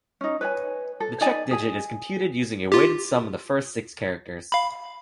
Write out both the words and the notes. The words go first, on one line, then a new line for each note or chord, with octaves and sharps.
The check digit is computed using a weighted sum of the first six characters.
C#4 D#4
B4 C#5 G#5
A4
D#4 D5 G#5
G#4 G#5
F4 G4
F5 B5